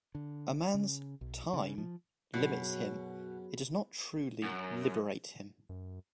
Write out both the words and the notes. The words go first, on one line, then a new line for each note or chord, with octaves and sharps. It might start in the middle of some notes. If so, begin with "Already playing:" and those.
A man's "time" limits him, it does not truly liberate him.
D3
C#3
B1
C#3
F3
F#2 B2 C#4 F#4 G#4
F#2
F#2